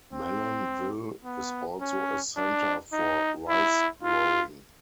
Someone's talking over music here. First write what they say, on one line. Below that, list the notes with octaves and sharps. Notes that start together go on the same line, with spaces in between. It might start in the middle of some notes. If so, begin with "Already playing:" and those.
Malanville is also a centre for rice-growing.
C4
B3
C#4
D4
D#4
E4
F4